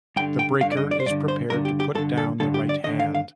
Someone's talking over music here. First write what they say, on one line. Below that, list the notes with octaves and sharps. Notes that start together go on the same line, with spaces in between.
The breaker is prepared to put down the right hand.
G2 D3 G5
G5
G2 D3 F5
D5
D#5
D5
C5
G2 D3 D5
C5
G2 D3 A#4
G4
G4
G2 D3 A4
A4
G2 D3 A4
G4
D5
D#2 D3 D#5
F5
F5